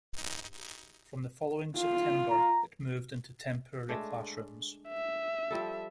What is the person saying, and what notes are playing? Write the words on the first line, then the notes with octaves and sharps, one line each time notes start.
From the following September, it moved into temporary class rooms.
F4
A#5
G#3 A3 D4
E5
F3 G3 A4